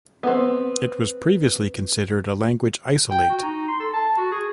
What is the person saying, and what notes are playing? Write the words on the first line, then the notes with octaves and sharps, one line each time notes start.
It was previously considered a language isolate.
B3 C4
G5
F#4
D#4
C6
A4
A5
F#4
G#4